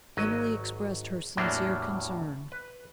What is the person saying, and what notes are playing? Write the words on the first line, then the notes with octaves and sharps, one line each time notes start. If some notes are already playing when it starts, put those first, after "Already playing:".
Emily expressed her sincere concern.
G#1 F#3 D#5
E2 A2 F#3 G3 A#3 D4
B4